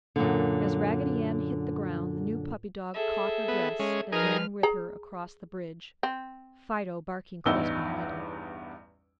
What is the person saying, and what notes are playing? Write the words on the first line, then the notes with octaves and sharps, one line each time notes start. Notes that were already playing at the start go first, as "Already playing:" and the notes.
As Raggedy Ann hit the ground the new puppy dog caught her dress and ran with her across the bridge, Fido barking close behind him.
F#2 A#2 D3
G#4 A4 E5
B3
G#3 C#4
F3 D#4 G#4 A#4 B4 F6
G#4 A#5
C4
A1 E2 G2 D#4 E6 G7